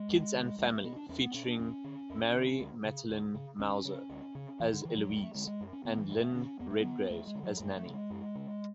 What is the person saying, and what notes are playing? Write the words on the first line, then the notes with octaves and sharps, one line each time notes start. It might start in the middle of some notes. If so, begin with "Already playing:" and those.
Kids and Family, featuring Mary Matilyn Mouser as Eloise and Lynn Redgrave as Nanny.
Already playing: G#3
E2
D3
E2 G#3
A3
B2 B3
D4
E2 C#4
B3
B2 C#4
D4
E2 C#4
D3
E2
D3
D2
C#3
D2
C#3
D2 C#4
C#3
D2
C#3
E2 E3
D3
D3 E3
F#3
E2 G#3
A3
D3 G#3
G#3
F#2
C#4
D3 B3
E3
F#2 A3
D3 C#4
E2 B3
A3
D3 B3
E2 A3
G#3
D3
F#3
F#2 A3
A3
C#3
G#3
F#2
C#3